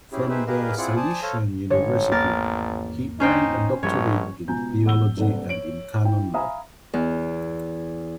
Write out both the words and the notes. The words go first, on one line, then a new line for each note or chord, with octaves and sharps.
From the Salesian University he earned a doctorate in theology and in canon law.
C#4 E4 G4 G#4
D#4 G4 G#4 B4 C5 E5
G4 G#4 A#4 B4 D#5 F5
C4 E4 F4 G#4 D5 F#5
C5 D5 G#5 A5 D#6
A4 C5 C#5 F5
A1 G#2 D3 C#5
G#1 E2 A#3 A#4 A6
C#4 D#4 C5 G5
A#1 G2 F3 G3 C#5
C#2 B2 G#5 A#5 G6
E1 F#5 E6 G7
F#1 G2 C3 A4 D5 F#5
C#5 D7 F#7
E4 G5
E5 F5 G#5 A#5 B5 D#6
E2